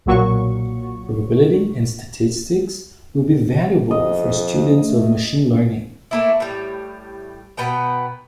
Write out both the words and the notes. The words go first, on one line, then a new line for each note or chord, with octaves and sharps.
Probability and statistics will be valuable for students of machine learning.
B1 A#2 F#3 A#3 C#6
F2 D#5
A3
A3 A#3 E4
A2 G3
B2 B3 G5 A#5